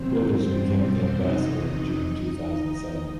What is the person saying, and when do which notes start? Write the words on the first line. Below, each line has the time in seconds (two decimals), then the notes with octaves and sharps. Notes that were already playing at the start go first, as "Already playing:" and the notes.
Withers became the ambassador in June two thousand seven.
Already playing: E2 C3 D#3 F#3 C4 C5
0.34 G2 E3 G3
0.76 E2 B2 G3
1.18 E2 C3 F#3 D#4 D#5
1.60 E2 C3 F#3